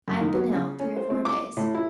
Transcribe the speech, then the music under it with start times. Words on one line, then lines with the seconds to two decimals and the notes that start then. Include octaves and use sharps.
I have been ill three or four days.
0.08 F#2
0.21 D#3
0.34 F#3
0.52 C#3
0.80 C#4
0.97 C5
1.10 C4
1.25 D6
1.57 A2
1.75 E4